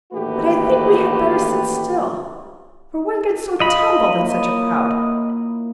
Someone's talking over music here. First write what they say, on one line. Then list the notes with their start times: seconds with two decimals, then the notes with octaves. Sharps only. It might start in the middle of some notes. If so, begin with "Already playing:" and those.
But I think we had better sit still, for one gets so tumbled in such a crowd!
0.12 A1 D#2 A3 F#4 G4 B4
3.60 F4 D#5 B5
4.19 A#3 E4 C#5